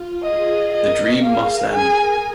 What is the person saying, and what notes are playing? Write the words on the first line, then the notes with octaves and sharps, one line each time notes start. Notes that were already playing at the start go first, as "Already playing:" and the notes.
The dream must end.
Already playing: F4
G#4 D#5
A#4 D#5
G#4 F5
G#5